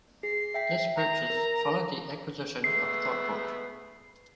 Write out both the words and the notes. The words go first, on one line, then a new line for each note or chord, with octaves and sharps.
This purchase followed the acquisition of Thottbot.
G#4 C7
E5 G5 B6
A#5
A#4
G#3 A3 B3 C7